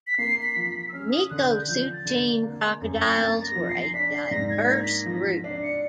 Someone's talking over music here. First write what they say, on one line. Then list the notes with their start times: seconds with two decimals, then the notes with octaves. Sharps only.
Mekosuchine crocodiles were a diverse group.
0.07 B6
0.18 A#3 C7
0.43 B6
0.56 F3
0.69 B6
0.89 E6
0.93 C#4 F6
1.07 E6
1.11 D#6
1.30 D3 F#6
1.49 G6
1.69 F3 G6
1.93 A6
2.05 D3
2.43 A#3
2.82 F#2
3.18 A#3 A6
3.43 A#6
3.55 F3
3.69 C7
3.94 D4 B6
4.13 C7
4.27 B6
4.31 G#2 A#6
4.50 G#6
4.68 A#3 A#6
4.83 B6
4.94 A#6
5.06 F3
5.19 B6
5.44 D4 C7
5.63 C#7